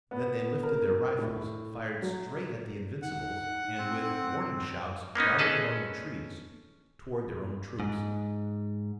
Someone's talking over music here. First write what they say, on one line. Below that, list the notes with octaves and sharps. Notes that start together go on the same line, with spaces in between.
Then they lifted their rifles, fired straight at the Invincibles, and with warning shouts darted among the trees toward their own troops.
B3
A#4
A2
F#3
D#4 F#5
C4
A#3 B3 C#4 D#4
C#4 G#4 A4 B4 D#5 A5
G#2